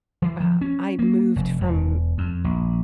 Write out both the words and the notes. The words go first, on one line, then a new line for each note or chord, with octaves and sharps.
Um, I moved from
E3
F3
C#4
A#3
F1
E1
F2
A#1